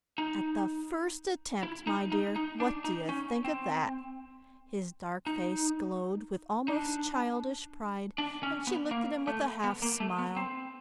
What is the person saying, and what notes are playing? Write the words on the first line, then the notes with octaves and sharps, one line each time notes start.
"At the first attempt, my dear, what do you think of that?" His dark face glowed with almost childish pride, and she looked at him with a half-smile.
D#4
E4
D#4
D#4
D#4
D4
D#4
C#4
C4
D#4
D#4
D4
D4
C#4
B3
A#3
A3
B3
A#3
A3
B3
C4